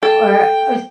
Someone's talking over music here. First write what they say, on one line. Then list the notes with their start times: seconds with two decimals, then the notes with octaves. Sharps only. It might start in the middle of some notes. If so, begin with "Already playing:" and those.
Or or
0.03 A4 G5